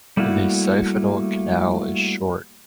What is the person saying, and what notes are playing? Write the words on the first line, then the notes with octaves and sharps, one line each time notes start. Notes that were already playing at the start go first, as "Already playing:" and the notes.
The siphonal canal is short.
G3 A3 A#3 E4 F#4